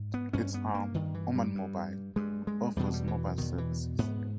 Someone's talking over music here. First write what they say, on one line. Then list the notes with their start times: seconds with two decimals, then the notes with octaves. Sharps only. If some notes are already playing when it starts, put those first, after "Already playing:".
Its arm Omanmobile offers mobile services.
Already playing: G#2
0.14 B3
0.33 G2 C#4
0.54 B3
0.74 A#3
0.94 G2 D#3
1.14 E3
1.35 G3
1.55 G2
2.16 G2 G#3
2.47 G#3
2.76 E2 B2 G3
2.85 G#3
2.94 G3
3.08 E3
3.38 E2 B2 D#3
3.58 E3
3.99 G#2 B3